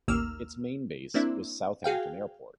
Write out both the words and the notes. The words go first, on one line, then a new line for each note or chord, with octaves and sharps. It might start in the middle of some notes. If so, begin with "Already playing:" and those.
Its main base was Southampton Airport.
A1 D#2 A#3 E6 F6
A#3 C4 D4 E4
F#4 G#4 F5 G5